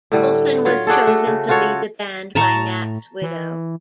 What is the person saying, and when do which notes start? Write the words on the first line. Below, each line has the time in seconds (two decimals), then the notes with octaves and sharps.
Olsen was chosen to lead the band by Knapp's widow.
0.12 A2 D3 G3
0.65 F#3 F4 C#5
0.87 D4 F#4 G#4 A4
1.07 A3
1.27 C#3
1.49 F4 F#4 A4 C#5
2.35 A2 A5 A#5 C#6
3.22 E3